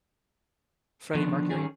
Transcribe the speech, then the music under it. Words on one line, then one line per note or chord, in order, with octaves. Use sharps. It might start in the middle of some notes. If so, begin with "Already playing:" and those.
Freddie Mercury?
D3 D#3 F3 B3 D4
D#3 E3 C#4 G#4